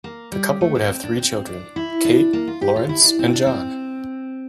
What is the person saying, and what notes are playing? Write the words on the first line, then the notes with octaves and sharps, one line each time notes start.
The couple would have three children: Kate, Laurence, and John.
A#3
G3
A3
A#3
C4
D4
C4
D4
E4
D4
A#3
F4
G4
F4
E4
D4
C4
D4
C4